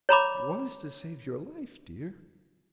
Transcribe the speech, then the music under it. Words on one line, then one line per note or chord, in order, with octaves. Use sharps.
"It was to save your life, dear."
C#5 A#5 B5 D6